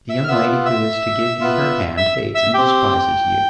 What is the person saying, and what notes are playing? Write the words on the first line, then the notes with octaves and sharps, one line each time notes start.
The young lady who is to give you her hand hates and despises you.
E5 E6
F6
B3 F4 E5 E6
E5 E6
B3 F4
E5 E6
E5 E6
C4 G4 G5